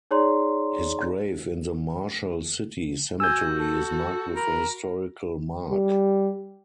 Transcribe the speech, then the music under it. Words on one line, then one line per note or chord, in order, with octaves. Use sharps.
His grave in the Marshall City Cemetery is marked with a historical mark.
D#4 G#4 C#5 D5 A#5 C6
F#4 G#5 E6 G6
A4
A#4 B5
G3